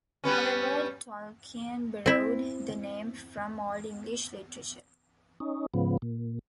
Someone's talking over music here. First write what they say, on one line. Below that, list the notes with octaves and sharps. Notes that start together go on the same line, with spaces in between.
However, Tolkien borrowed the name from Old English literature.
G3 B3 C#4
C4 E4
C#4 D#4
G#2 C#3 F3 B3
A#2